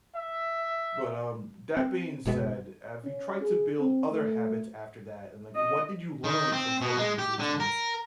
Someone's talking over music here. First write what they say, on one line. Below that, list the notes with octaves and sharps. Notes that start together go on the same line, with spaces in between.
But, um, that being said, have you tried to build other habits after that? And, like, what did you learn from forming these routines?
E5
C4
F#1 B2 G#3 B3
C#4
G#4
C4
A3
D#5
D#3
C4
B2
G#3
G4
D3
A#4